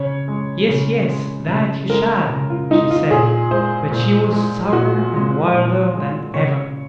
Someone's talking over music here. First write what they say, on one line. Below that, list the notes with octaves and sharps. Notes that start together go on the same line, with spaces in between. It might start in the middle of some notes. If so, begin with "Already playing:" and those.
'Yes, yes, that you shall', she said; but she was sourer and wilder than ever.
Already playing: C#3 C#5
G#3
C#3
G#3
C#3
G#3 A#4
C#3
F4
G#3 D#4
F4
A#2 G#4
G#3 C5
A#2
G#3
A#2 F#4
G#3
A#2
G#3
C#3 C#5